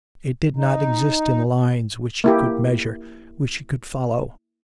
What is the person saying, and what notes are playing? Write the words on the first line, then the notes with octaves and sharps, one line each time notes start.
It did not exist in lines which she could measure, which she could follow.
D#4
A#3 E4 G4